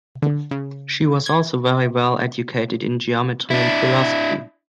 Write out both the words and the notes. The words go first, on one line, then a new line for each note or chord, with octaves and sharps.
She was also very well educated in geometry and philosophy.
D3
C#3
G#6
D4 E4